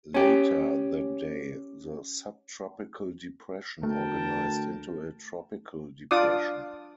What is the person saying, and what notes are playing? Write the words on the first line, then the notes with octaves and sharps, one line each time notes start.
Later that day, the subtropical depression organized into a tropical depression.
C#4 G4
D2 A3 A#4 G5 A5
D4 F4 D5 D6 D#6